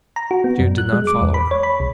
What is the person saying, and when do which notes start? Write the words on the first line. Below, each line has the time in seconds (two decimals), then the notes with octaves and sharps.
Jude did not follow her.
0.16 A#5
0.31 F#4
0.44 B3
0.59 F#2
0.78 F#6
0.93 G#3
1.07 D6
1.21 E2
1.34 B5
1.51 C#5
1.63 B5
1.80 C2